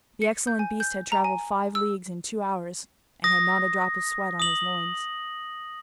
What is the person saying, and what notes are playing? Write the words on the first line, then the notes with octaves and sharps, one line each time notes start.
The excellent beast had travelled five leagues in two hours, and had not a drop of sweat on his loins.
C#7
G6
G#5
G6
A#5
G#5
E6
D#6 A#6
D#6 F#7